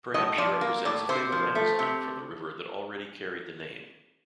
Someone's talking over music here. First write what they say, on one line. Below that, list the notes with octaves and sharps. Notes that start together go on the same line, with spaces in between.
Perhaps she represents a fabled Amazon from the river that already carried the name.
A2 D#5
F3 D5
A#3
A2 D5
C3 C5
F3
A3
C3